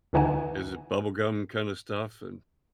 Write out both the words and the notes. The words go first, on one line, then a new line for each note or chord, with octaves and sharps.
Is it bubblegum kind of stuff? And
D2 D3 E3 D#4 F#5 G#5